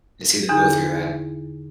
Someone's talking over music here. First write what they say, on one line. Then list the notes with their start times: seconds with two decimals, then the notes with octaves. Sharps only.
And to see them go through that.
0.49 E2 D3 D#4 E4 G#4